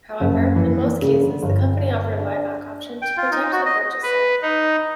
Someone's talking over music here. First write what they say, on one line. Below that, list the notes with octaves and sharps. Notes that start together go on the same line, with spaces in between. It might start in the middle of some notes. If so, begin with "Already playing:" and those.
However, in most cases the company offered a buy-back option to protect the purchaser.
F#1
E3
A#3
C#3
D3
G1
D4
G5
F4
D#4
F#4
D#5
B4
D#4